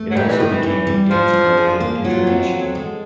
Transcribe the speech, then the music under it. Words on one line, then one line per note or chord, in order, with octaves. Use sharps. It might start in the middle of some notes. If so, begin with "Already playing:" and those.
It also became a dance-club hit internationally.
Already playing: A3
F#3
G3 D#4
E3
D#3 C4
E3
E3 G3
G3
F3 F4
D4
G#4
A#3
F#3 F4
C4
A4
G#3